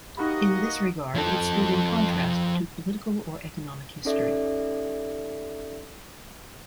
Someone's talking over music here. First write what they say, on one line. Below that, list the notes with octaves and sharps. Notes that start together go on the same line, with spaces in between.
In this regard it stood in contrast to political or economic history.
A#3 D#4 F#4 G4 D#5 B5
F3 A4
C#4 D#4 G4 A4 D5 E5